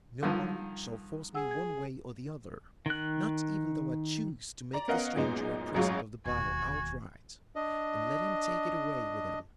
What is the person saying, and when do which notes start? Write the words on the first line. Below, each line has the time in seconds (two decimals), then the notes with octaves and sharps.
No one shall force me one way or the other, not even though I choose to make the stranger a present of the bow outright, and let him take it away with him.
0.23 D3 D#3 F3 G3
1.35 G#4 F#5 E6
1.51 G#6
2.86 D#3 F#6
4.73 D5 A#5
4.88 B3 C#4 A#4 D#5 F5 F#5
5.15 F#2 A#2 G#3 B3 D#4
5.74 A1 F#2 F#3 G#3 F4 C#6
6.26 E1 D#2 F#4 G#5
7.56 D4 D#5